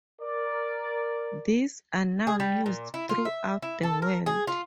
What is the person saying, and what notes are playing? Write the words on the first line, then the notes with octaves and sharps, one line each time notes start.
These are now used throughout the world.
A#4 D5
G#4
G3
A#2
E4
F4
E5
E4
A4
A#4
G#4
F4